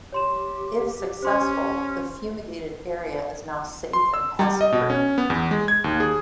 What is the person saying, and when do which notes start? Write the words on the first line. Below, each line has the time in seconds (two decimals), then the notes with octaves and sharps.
If successful, the fumigated area is now safe and pest free.
0.13 G4 C#5 C6 E7
1.23 C#4 C5 C6
3.93 C6
4.14 E6
4.39 G3
4.61 D#5
4.72 B2
4.90 C#4
5.18 B3
5.30 E2
5.51 G#3
5.68 G#6
5.84 D#2
6.00 G#4